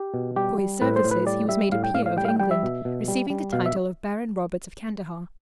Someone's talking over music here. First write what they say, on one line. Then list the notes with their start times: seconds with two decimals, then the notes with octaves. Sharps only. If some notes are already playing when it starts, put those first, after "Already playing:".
For his services, he was made a peer of England, receiving the title of Baron Roberts of Kandahar.
Already playing: G4
0.14 B2
0.36 G3 G4
0.58 G3
0.82 A2 B4
0.96 C5
1.04 A2
1.11 B4
1.27 G3 D5
1.49 G3 E5
1.72 A2 F5
1.84 G5
1.94 A2 F5
2.06 F5
2.17 G3 G5
2.25 F5
2.28 G5
2.40 G3 G5
2.51 E5
2.63 B2
2.85 B2
3.08 G3
3.30 G3
3.53 B2 F5
3.66 E5